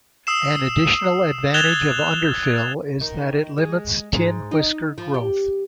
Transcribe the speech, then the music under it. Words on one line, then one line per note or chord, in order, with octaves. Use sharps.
An additional advantage of underfill is that it limits tin whisker growth.
D#6 E6 C7 E7
F#6 G#6 A6 E7 F7 G7
D#3
G#3
G#2
D#4
F3
G4